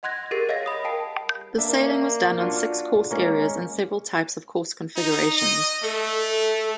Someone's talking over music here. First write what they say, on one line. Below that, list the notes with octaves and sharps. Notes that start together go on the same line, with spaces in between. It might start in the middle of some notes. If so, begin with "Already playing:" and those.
The sailing was done on six course areas and several types of course configurations.
D#5 F#5 C6 F#6 G#6 A#6
G4 G#4 A#4 A6 C7 D7
C#5 D#5 F5 F#5 A6 A#6
B5 D#6
A#4 F5 G5 A5 C7 D7
A#3 D4 E5
D4 F4 F#4
G#3 A#3 C#4
D#4
D#5
A3 A4